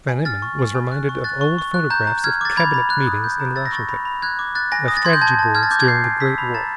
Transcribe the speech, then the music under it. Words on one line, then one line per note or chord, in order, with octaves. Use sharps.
Van Emmon was reminded of old photographs of cabinet meetings in Washington, of strategy boards during the great war.
G#5
F6 A6
C#6
G#5
G#5
F#6
C#6
F#6 A6
C#6
C#6
F#6
A#5 G6
A#5
F6 G#6
D6 A6
B5 G#6
B5
F#6
D#6
G6
A#5
E6 A6
A#6
C#6 A6
B5
B5
F#6 G#6
D6
F#6 A6
G#5 A#6
D#6 A#6
A6
C6 G#6
G6
A5 G#6
A5
F6 G#6
A6
D6 G6
G#6
G6 C7
G#5
E6 B6
B5
A#5 A6